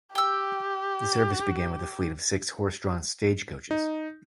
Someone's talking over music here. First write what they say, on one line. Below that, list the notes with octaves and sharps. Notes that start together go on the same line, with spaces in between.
The service began with a fleet of six horse-drawn stagecoaches.
G4 G5 E6
D#4